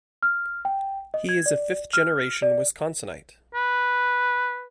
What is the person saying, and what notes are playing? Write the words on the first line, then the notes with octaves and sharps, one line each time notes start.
He is a fifth-generation Wisconsinite.
F6
G5
D#5
G#6
D5
F6
D5
B4